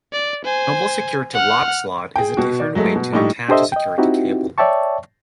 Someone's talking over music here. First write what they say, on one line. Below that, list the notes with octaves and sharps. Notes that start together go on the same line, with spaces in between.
The Noble security lock slot is a different way to attach a security cable.
D5
C5 G#5
F#5 F6
G#4 G5
B2 F#4
D5
F#3 G#3 A3
B2
A#1 A2 G3 D#4 G4 C#6
D4 G4 A4 C5 D#5 E5
D#5 G5
C4 D#4 E4 F#4 G4
C#5 D5 E5 G5 A5 C#6